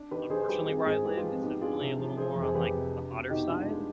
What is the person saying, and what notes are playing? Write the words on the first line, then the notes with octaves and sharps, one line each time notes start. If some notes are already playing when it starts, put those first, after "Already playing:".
Unfortunately, where I live, it's definitely a little more on, like, the hotter side.
Already playing: D4
D#3 G4 B4
D#3 G#4 C5
C5
G3 G4 B4
C4 F4 G#4
G#2 G#4 C5
G#2 G4 B4
F4 G#4
F3
C4
B3 D#4 G4
D4 F4 G#4
C3
F3
F3 G#4 C5
G#4 C5
F2
G#4 C5
F2 G4 B4
C3
D4
B2
B2 D#4 G4
G3 D4 F4
G#3